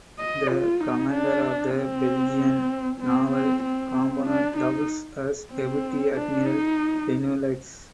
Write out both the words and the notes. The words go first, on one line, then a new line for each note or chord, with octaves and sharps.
The commander of the Belgian Naval Component doubles as Deputy Admiral Benelux.
D#5
F4
D#4
D4
C4
C4
C4
C4
D4
D#4
C4
D4
D#4